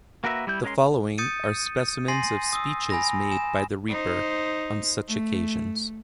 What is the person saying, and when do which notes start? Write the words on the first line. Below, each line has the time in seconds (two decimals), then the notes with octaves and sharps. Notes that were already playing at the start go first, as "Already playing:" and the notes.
The following are specimens of speeches made by the reaper on such occasions.
0.24 A#3 F#4 A#4 B4 E5
0.47 G3 E4 G6
0.64 G#3 C#4 A#4 F5 C6
1.18 D#6 G6 A6 C#7 D#7
2.08 G#5 C6 A6 A#6 C7 D#7
2.53 D#6 E6
2.90 G#5 B5 A#6
3.32 G#5 E7
3.88 D#4 C5
5.08 A3